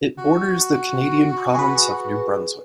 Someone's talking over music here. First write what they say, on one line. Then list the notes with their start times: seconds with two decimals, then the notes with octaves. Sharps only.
It borders the Canadian province of New Brunswick.
0.18 F#4
1.55 G#4 B4